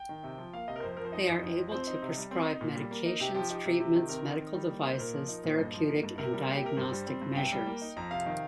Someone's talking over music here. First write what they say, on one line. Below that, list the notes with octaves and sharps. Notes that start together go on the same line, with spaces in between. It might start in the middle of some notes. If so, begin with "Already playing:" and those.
They are able to prescribe medications, treatments, medical devices, therapeutic and diagnostic measures.
Already playing: G5
D#3
C3
F3
A#3 F5
C3 D#5
A#4
F2 C5
F3 A#4
C5
D#4 D#5
F2
F2
F3
C4 C5
D#4
C3
G3
C4
D#4
A#2
G3
A#3
D#4
C3 G4
F3 G4
D#4 G4
C3
C3
D#3
C4 A#4
D#4
D#3
G3
A#3
D#4 C5
A#2 A#4
F3
D#4
A#2 C5
G2 D#5
F3
A#3
G2
C3 A#4
G3
A#3
G4
C3 A#4
G2 C5
G3
C4
G2
C3 G5
G3
A#3
D#4
F2 A#5
C3 F5
D#3